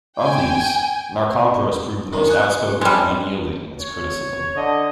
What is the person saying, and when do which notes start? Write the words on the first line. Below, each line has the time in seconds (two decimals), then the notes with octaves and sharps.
Of these, Narkompros proved the most outspoken and unyielding in its criticism.
0.21 G5 G#5
2.13 C3 D#3 D#4
2.27 F#5 G#5 C#6
2.81 F3 G3 G#3 A4
3.81 C#5
4.56 D3 D#5